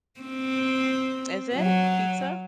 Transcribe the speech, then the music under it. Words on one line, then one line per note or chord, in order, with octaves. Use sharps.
Is it, pizza?
C4
F#3